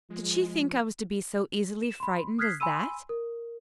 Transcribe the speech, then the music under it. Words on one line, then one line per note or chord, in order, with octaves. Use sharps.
Did she think I was to be so easily frightened as that?
F3 G#3
E7
B5 C6
D#6 F6 F#6 G#6 B6 C7
G#5 B5 C6 E6 D#7
A#4